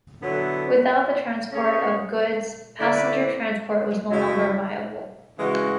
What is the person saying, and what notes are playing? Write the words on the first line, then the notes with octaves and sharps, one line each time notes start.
Without the transport of goods, passenger transport was no longer viable.
D3 F#3 B3 E4 A4
A3 C#4 G#4 C#5
D3 A3 E4 B4 D5
F#2 C#3 F#3 A3 E4
C#3 E3 G#3 C#4 F#4